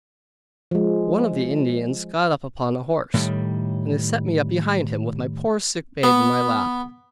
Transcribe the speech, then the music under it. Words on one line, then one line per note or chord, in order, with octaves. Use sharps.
One of the Indians got up upon a horse, and they set me up behind him, with my poor sick babe in my lap.
F3 G#3
A2 D#3 G3
B3